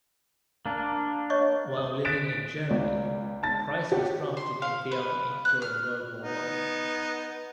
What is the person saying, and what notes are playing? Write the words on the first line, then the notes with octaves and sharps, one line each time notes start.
While living in Germany, Price was drafted into the army during World War One.
A#3 D4
C#5 D#5 C#6
D#6
F#6 A6 B6 D7 E7
C#2 D5
A5 A6
G4 C#5 F#5
C6
F5
B4
F#6
F6
B3 D#4